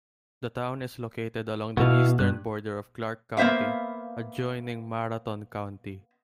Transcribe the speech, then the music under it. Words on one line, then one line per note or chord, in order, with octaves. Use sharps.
The town is located along the eastern border of Clark County, adjoining Marathon County.
B2 B3 E4 F5
G2 F#6
A#3 B3 C5 E5 F5